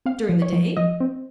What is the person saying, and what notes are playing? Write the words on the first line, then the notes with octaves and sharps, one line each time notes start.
"During the day?"
C4 F5
F3
C#5
F3
F3 D#5
C4